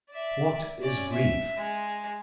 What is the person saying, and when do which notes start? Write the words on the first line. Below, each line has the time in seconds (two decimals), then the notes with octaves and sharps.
What is grief?
0.10 D5 E5
0.82 C#4 D5
1.13 E5
1.57 G#3